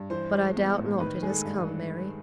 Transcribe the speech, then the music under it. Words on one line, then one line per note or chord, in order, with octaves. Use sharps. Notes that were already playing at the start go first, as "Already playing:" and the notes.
"But I doubt not it has come, Mary."
Already playing: G2
E3 C5
G#3
B3
A2
D#3 B4
G#3 G#4
A4
G2